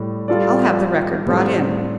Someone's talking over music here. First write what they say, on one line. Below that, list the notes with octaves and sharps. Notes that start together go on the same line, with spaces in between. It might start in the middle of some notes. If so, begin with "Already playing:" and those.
"I'll have the record brought in."
Already playing: A2 G3
G3 F4 A4 D5
A2 G3 C4 A4 C5